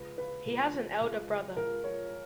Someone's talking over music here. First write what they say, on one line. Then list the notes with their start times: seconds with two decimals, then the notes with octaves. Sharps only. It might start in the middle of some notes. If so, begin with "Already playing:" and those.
He has an elder brother.
Already playing: C#2 B4
0.18 C#3 B4
0.46 C#2
0.74 F3
1.01 C#2
1.29 C#3
1.56 C#2 A#4
1.84 F3 C#5